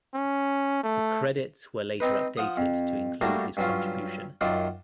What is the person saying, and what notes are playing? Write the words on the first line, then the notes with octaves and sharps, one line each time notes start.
The credits were later updated to include his contribution.
C#4
A3
C4 D#4 B4
F3 F#5 D#6
F2
G3 A3 A#3 D4 F#4 G4
G2 F#3 C#4 F4
F#2 D#3 F#3 F4 D5 F#5